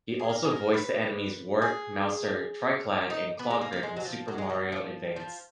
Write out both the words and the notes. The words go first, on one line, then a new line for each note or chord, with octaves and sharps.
He also voiced the enemies Wart, Mouser, Tryclyde, and Clawgrip in "Super Mario Advance".
G#4
A#4
G#4
A#4
B4
G#4
D#4
B3
G#3
A#3
A#3
G#3
F#3
F3
F#3
G#3
F#3
F3
F3